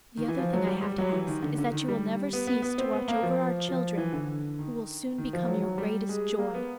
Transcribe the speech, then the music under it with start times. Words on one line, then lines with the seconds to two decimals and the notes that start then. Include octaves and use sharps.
The other thing I have to ask is, that you will never cease to watch over our children, who will soon become your greatest joy.'
0.17 D#3
0.28 E3
0.38 F3
0.53 F#3
0.67 G3
0.83 G3
0.98 F#3
1.12 E3
1.27 D#3
1.42 D3
1.58 D3
1.72 D#3
1.88 G3
2.33 B3
2.47 B3
2.62 B3
2.78 C4
2.93 B3
3.08 A#3
3.22 F3
3.69 F3
3.98 E3
4.13 D3
4.59 D#3
5.18 D#3
5.33 F3
5.48 F#3
5.63 F#3
5.78 G3
6.09 G#3
6.38 A#3
6.54 B3